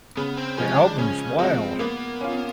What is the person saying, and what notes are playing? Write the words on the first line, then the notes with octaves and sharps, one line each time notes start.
The albums Wild!
C#3 B3
C4
F3 G#3 C#4
D4
C#3 C#4
F3 G#3 C4
A#3 B3
C#4 F4